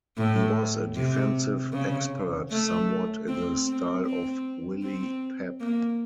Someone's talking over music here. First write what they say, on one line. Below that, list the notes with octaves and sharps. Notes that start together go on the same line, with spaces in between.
He was a defensive expert, somewhat in the style of Willie Pep.
A2
C3
C#3
A3
C4
C4
C4
C4
A#3